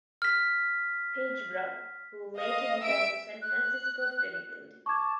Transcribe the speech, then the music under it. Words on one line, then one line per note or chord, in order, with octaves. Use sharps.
Page Brown, who later designed the San Francisco Ferry Building.
F6 B6
D#5 F5 D#6
E5 E6 D7
F#6
A5 C#6 D6 G#6